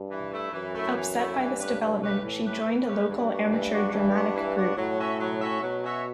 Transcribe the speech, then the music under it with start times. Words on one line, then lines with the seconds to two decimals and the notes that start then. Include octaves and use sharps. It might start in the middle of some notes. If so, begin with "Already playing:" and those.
Upset by this development, she joined a local amateur dramatic group.
Already playing: G2
0.10 E3
0.32 A3 E4
0.53 F#2 E3
0.74 A3 E4
0.95 E3
1.16 A3 E4
1.38 G2 E3
1.59 A3 C#4 G4 B4
1.80 E3
2.02 A3 C#4 G4 B4
2.23 A2 E3
2.44 A3 C#4 G4 B4
2.65 E3
2.86 A3 C#4 G4 B4
3.08 G2 E3
3.29 B3 D4 F#4
3.49 E3
3.71 B3 D4 F#4
3.92 G2 E3
4.14 B3 D4 F#4
4.35 E3
4.56 B3 D4 F#4
4.77 A2 F#3
4.99 C#4 F#4 C#5 E5
5.19 F#3
5.41 C#4 F#4 C#5 E5
5.62 B2 F#3
5.83 C#4 F#4 C#5 E5